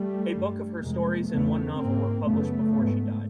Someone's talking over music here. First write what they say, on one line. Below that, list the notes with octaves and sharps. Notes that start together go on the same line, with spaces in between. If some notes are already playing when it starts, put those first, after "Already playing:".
A book of her stories and one novel were published before she died.
Already playing: G3 A3
G2
F2 C3 G#3 A#3
E2 C#3 A3 B3
G#2 A#3 C4
F#2 C#3 A3 B3
G#2